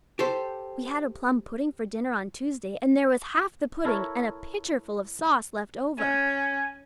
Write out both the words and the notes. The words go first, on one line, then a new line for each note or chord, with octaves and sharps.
We had a plum pudding for dinner on Tuesday and there was half the pudding and a pitcherful of sauce left over.
G4 A4 C5
E4 A4 A#4 C#5 E5
C#4 G#5